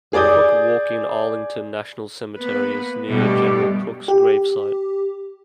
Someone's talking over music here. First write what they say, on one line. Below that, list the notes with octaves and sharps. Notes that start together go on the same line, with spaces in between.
The Crook Walk in Arlington National Cemetery is near General Crook's gravesite.
G#4 D5 D6 D#6 G6
A#3 B3 B4
G2 B2 G3 A3 G4 D5
G4